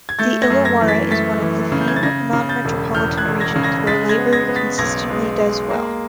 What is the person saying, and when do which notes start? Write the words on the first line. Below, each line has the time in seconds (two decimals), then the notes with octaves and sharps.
The Illawarra is one of the few non-metropolitan regions where Labor consistently does well.
0.09 G#6
0.19 A3 G6 A6
0.42 G#6 A#6
0.50 F#2
0.65 G#6 A#6
0.81 E3
0.88 A6 B6
1.11 A3 A6 B6
1.42 E3
1.72 C#3
1.81 G6
1.88 G#6
1.96 A6
2.03 C#3 G#6 A#6
2.33 C#3
2.49 G6 A6
2.65 E1
2.94 E2 F6 G6
3.18 F#6 G#6
3.25 E1
3.40 G#6 A#6
3.56 C#3
3.63 G#6 A#6
3.87 G#3 A6 B6
4.09 G#6 A#6
4.17 B3
4.33 G#6 A#6
4.48 B3
4.56 A6 B6
4.78 B1 G#6 A#6
5.10 G#3
5.39 G#3
5.70 A#3